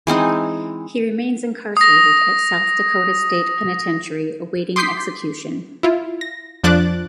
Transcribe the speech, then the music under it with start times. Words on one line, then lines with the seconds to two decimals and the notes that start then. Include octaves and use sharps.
He remains incarcerated at South Dakota State Penitentiary awaiting execution.
0.07 E3 G#3 C4 D#4
1.77 D#6 A#6
4.76 C6 D6 D#6 G6 B6 C7
5.83 E4 F4
6.21 A#6
6.64 F2 F3 D4 F#6 A6 D7